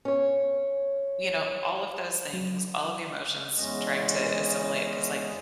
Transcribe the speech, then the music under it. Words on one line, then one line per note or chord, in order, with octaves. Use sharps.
you know, all of those things, all of the emotions trying to assimilate 'cause, like,
C#4 C#5
F#3
E2 G#3 C#4 D#5